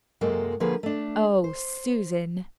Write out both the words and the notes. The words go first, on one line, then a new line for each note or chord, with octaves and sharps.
"Oh, SUSAN!"
F#2 C3 G#3 A#3 A4
D3 F3 A#3 G#4 B4
A3 D4
C5